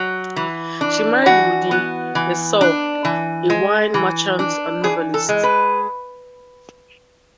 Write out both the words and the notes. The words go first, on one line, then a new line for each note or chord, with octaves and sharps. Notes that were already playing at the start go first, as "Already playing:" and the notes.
She married Rudi Nassauer, a wine merchant and novelist.
Already playing: F#3
E3
D4
E3 F#4
B3
E3
D4
E3
G#3
E3
D4
E3 G#4
A4
G#3
B4